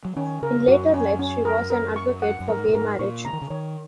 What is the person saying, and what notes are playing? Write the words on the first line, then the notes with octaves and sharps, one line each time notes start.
In later life, she was an advocate for gay marriage.
F#3
D#3 C#4
C#3 A#4
F#2 F#4
C#4
C#4
A#4
A#4
C#6
F#5
F#2
G#2 A#4
A#2
G#2 A#4
A#2 C#6
C#3 A#5
D#3
C#3
D#3 C#5